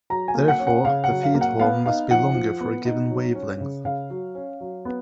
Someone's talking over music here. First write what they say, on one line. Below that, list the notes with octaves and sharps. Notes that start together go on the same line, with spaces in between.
Therefore, the feed horn must be longer for a given wavelength.
F#3 A#5
G#5
A#3
F#5
C#4
F#5
C#3 F5
F#5
F#3
F5
A#3
F#5
B3 F5
D#4 F5
F3 F#5
F3
B3
D#4
F#3
C#4
C#3
C#3 F5
F#3
C#4
F#3
B3